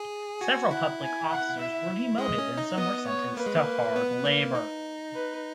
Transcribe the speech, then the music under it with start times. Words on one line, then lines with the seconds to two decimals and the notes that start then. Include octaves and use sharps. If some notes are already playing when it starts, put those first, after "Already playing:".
Several public officers were demoted and some were sentenced to hard labour.
Already playing: G#4
0.41 F#4 G#5
0.71 E4 F#5
1.01 G#5
1.29 F#5
1.59 E5
2.18 G#3 D#5
2.38 C#4
2.58 D#4
2.78 B3 D#5
3.07 C#5
3.37 A#3 B4
3.46 G#3
3.56 A#3
3.96 B3
4.25 A#3
4.55 D#4
5.15 B4